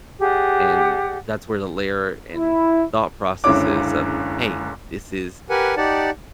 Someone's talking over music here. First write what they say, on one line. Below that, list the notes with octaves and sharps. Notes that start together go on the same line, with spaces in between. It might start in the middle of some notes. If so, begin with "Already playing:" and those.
And that's where the layer in thought processes of, "Hey. This is
G4 G#4 D5 F#5
E4
F#1 C#2 D3 E4 C#5 D6
G4 A#4 B4 F#5 G#5
D#4 G4 D5 F#5 A5